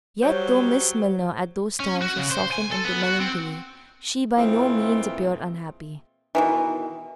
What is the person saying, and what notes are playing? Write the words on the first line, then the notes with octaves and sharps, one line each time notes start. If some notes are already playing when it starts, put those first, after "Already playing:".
Yet though Miss Milner at those times was softened into melancholy, she by no means appeared unhappy.
F#3 G3 C5 C#5 G6
C#4
F#4
C#3
C5
G#5
A4
B3
F#4
C4
A#2 E3 G#3 A3 C4 F4
B2 D#3 E3